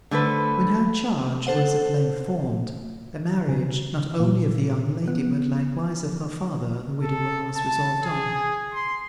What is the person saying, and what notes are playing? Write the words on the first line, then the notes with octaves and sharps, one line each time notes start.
When her charge was at length formed, the marriage, not only of the young lady, but likewise of her father, the widower, was resolved on.
D3 A3 A4 B4 C5
A4 C5 F#5
C#3
A#2
B3
A4
A5
G#4
C6